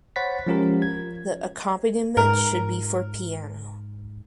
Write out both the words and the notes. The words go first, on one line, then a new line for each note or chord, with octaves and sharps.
The accompaniment should be for piano.
C5 C#5 F#5 B5 A6 B6
F3 G#3 C#4 F4 G4 A#4
G#6
G#2 A#4